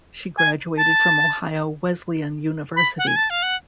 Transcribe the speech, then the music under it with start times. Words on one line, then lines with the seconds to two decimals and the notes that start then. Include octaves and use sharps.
She graduated from Ohio Wesleyan University.
0.37 G#5
0.77 A5
2.76 B5
2.98 F#5
3.07 G#5
3.16 A5
3.30 F5
3.43 F#5